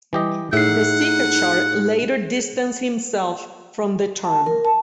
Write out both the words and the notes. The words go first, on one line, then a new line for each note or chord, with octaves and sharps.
Desikachar later distanced himself from the term.
E3 G3 G4 D#5
A2 D#4 G#4 E5 F#5 C7
A5
A#4
A5